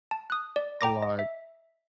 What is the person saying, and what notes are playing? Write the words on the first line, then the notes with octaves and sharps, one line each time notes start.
But like
A5
D#6 F#6
D5
G5 A#5 D6 A#6
D#5
E5